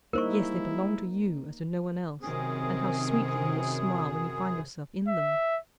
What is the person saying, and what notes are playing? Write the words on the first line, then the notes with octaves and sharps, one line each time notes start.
Yes, they belong to you as to no one else, and how sweetly you will smile when you find yourself in them!
G3 G#3 A#3 D#4 E4 A#4 C5 C#6
F#2 C3 D#3 C4 G#4
E5